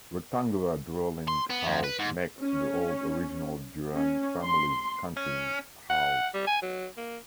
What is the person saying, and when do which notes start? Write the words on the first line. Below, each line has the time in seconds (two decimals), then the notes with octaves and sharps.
Rectangular dwelling house next to the old original Duran family’s country house.
1.28 C6
1.50 B3
1.66 F2
1.84 B4
1.99 G#2
2.41 C#4
3.95 C#4
4.44 C6
5.17 C#4
5.90 F#5
6.34 G3
6.47 G#5
6.62 F#3
6.97 A#3